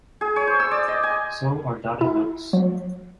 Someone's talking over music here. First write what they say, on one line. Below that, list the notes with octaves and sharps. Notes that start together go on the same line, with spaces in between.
So are dotted notes.
G#4
C#5
C5
E6
D5
D#5
G#5
E4
F#3